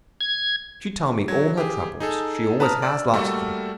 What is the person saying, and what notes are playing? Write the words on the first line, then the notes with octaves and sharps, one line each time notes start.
She told me all her troubles--she always has lots of them.
G#6
F#3 G#6
G4 G#4
D#4 G#4 A4
B4 A5 A#5 D#6 F6
D5 E6
G3 A3 A#3 F#4 A4